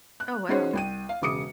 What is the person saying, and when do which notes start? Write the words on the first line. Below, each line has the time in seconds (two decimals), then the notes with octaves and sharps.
Oh, wow.
0.20 F#6
0.49 C#4 D#4 F#4 G#4 C5 C#5
0.73 C2 G5 D#7
1.09 F5
1.22 E1 C#3 D6 D#6 C#7